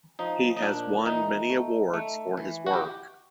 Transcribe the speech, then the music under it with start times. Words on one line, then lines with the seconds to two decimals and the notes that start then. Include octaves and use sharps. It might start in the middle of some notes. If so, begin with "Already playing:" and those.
He has won many awards for his work.
0.19 F3 D#4
0.57 D#4
0.62 A#2 D4
1.06 E3 D#4
1.50 A3
1.94 A3
2.37 E3
2.66 F#4
2.74 G4